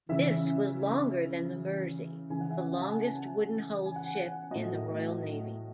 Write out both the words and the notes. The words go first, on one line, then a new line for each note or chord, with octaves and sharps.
This was longer than the "Mersey", the longest wooden-hulled ship in the Royal Navy.
C#3 E3 E5
C#3 E3 G#5
F#5
E5
F#5
A5
G#5
G#5
F#5
A2 F#3 D#5